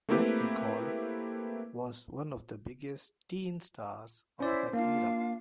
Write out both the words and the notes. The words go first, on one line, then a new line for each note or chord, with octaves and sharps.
McNichol was one of the biggest teen stars of that era.
A3 A#3 C4 E4 G4 B4
C#4 E4 C5 D5
A#3 D4 F4 F5